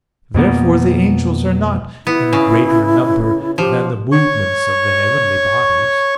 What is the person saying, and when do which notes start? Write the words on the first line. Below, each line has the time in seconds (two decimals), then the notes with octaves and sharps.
Therefore the angels are not in greater number than the movements of the heavenly bodies.
0.34 F2 B2 A#3 B3
2.07 B3 E4
2.33 C#3
3.58 F3 G4
4.12 C#5 C#6